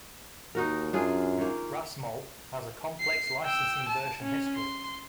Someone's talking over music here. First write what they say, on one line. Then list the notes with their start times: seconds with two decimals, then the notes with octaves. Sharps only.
RasMol has a complex licensing version history.
0.55 D#2 D#4 F#4 A#4
0.93 F#2 D4 F4 G#4
1.38 D#3 A#3
3.00 C7
3.45 G5 E6
3.89 A5
4.22 C#4
4.55 C6